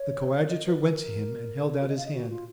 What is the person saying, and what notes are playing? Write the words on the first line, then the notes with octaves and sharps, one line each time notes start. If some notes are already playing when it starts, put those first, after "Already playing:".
The coadjutor went to him and held out his hand.
Already playing: C#5
D#5
B4
A#4
F#4
D#5
F5
D#5
F#4
F4